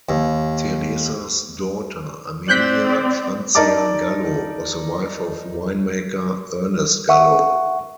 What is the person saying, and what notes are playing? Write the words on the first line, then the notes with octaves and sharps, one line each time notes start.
Teresa's daughter, Amelia Franzia Gallo, was the wife of winemaker Ernest Gallo.
D#2
C4 D5 F#6 G6 B6
D#4 A#4 D5 A5 D6
E5 F#5 C#6